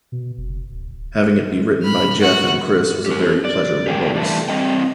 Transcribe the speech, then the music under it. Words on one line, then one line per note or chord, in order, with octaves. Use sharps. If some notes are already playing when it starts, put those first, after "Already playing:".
Having it be written by Geoff and Kris was a very pleasurable bonus.
B2
F#1
D1
B5 F6
F#4 F#5
G4 A#4
D5
G4 G#4 A#4 F5 G5
E3 G3 A3 D4
G3 A#3 C4 D#5 G5